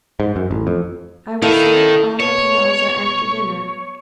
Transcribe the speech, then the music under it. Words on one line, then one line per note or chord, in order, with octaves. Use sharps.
I was sitting on the piazza after dinner.
G#2
F#2
A1
F2
D#3 E4 A4 F5
B2 C#5